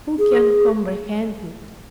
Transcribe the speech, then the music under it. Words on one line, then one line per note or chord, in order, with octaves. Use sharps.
Who can comprehend it?
G#4